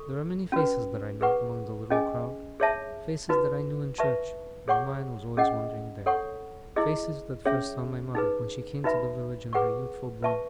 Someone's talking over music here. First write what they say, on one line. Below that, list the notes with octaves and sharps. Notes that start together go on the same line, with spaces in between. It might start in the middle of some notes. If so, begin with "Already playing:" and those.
There are many faces that I know, among the little crowd; faces that I knew in church, when mine was always wondering there; faces that first saw my mother, when she came to the village in her youthful bloom.
Already playing: A4 C#6
C#4 F#4 B4
G#4 B4 F#5 C#6
C#4 G#4 D#5 G#5
G#4 C#5 E5 A5
D#4 F#4 B4
B4 E5 A5 C#6
G#4 C#5 F#5 C#6
C#4 G#4 D#5 F#5
A4 C#5 F#5 C#6
E4 G#4 D#5
C#4 G#4 C#5 E5
D#4 G#4 B4
D#4 F#4 B4 E5 B5
G#4 B4 F#5 C#6
B4 E5 A5 C#6